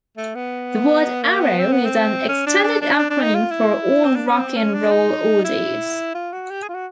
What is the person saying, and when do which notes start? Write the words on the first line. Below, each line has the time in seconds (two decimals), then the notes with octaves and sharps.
The word "Arrow" is an extended acronym for "All Rock and Roll Oldies".
0.17 A3
0.35 B3
1.23 A#3
1.40 B3
1.59 C4
1.72 B3
1.85 C4
2.29 C#4
2.47 D4
2.64 D4
2.82 D4
2.99 D4
3.10 D4
3.22 D#4
3.34 F4
3.51 E4
4.04 C4
4.16 D4
4.28 C#4
4.40 C4
4.57 C#4
4.74 D4
4.92 D#4
5.44 E4
6.15 F4
6.33 F#4
6.51 G4
6.62 G#4
6.68 F4
6.75 F#4